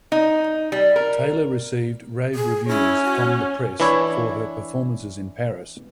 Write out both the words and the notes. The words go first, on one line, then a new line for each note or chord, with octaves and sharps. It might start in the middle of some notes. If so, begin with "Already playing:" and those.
Taylor received rave reviews from the press for her performances in Paris.
D#4
G3
A#4
G#4
C#4 E4
F#4
E3 D4 E4 C#5